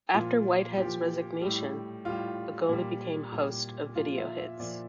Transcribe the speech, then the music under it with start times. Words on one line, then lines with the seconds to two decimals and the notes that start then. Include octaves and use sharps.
After Whitehead's resignation, Agolley became host of "Video Hits".
0.14 A#2 F3 F4
0.77 A#2 F3 G4
1.41 A2 G3
2.05 A2 G3 F4
2.69 A#2 G3
3.33 A#2 G3
3.95 A#2 F3 F4
4.18 E5
4.39 E5
4.60 A#2 F3 D5